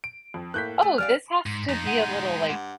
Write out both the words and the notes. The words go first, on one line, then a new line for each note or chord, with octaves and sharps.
"Oh, this has to be a little, like"
D7
F2
A2 A#3 F#6 G6 B6
A3 G#5
G3 D5 F5 F6
G#2
F2 D#4
G#3 A3 F#5 D#7
G2 F#5